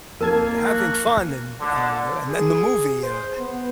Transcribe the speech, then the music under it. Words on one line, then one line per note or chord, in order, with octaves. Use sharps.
having fun and, uh, and then the movie, uh,
F2 A#3 D#4 A#4 F5 A5 G#6
F#4
D3
G#4
C5
B3